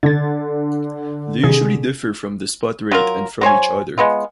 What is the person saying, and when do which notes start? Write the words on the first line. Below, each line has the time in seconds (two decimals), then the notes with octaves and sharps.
They usually differ from the spot rate and from each other.
0.03 D3 G#6 A6
1.43 C3 D#3 G#4
2.92 F#3 F4 A#4
3.41 F#3 C5 C#5 G#5
3.98 G#3 B3 F4